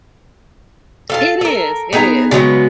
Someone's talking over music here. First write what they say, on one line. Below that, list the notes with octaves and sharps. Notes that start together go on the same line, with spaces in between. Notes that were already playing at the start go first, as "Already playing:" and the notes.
It is, it is.
A4 F5 A5
A4 A#4
B3 D#4 G#4 A#5
C#3 F#3 G#3 B3